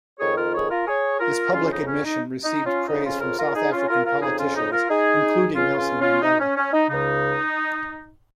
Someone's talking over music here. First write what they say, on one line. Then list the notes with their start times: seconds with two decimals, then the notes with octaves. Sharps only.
This public admission received praise from South African politicians, including Nelson Mandela.
0.19 F2 D#3 G#4 C#5
0.36 F4 A#4
0.53 G#4 C#5
0.70 F4 A#4
0.87 G#4 C#5
1.20 F4 A#4
1.53 F2 C#3 C#4 F4
1.71 D#4
1.87 C#4
2.04 D#4
2.43 D#4
2.65 C#4 F4
2.87 F2 C#3 D#4
3.05 C#4 F4
3.21 F4 A#4
3.38 F4 A#4
3.55 D#4 G#4
3.71 C#4 F4
3.88 F4 A#4
4.05 F4 A#4
4.22 F2 C#3 D#4 G#4
4.38 C#4 F4
4.55 D#4
4.72 F4 A#4
4.89 D#4 G#4
5.55 C#2 C#3 C#4 F4
5.78 C#4 F4
6.00 C#4 F4
6.22 D#4
6.40 C#4
6.56 C#4
6.73 D#4
6.89 C#2 C#3 D#4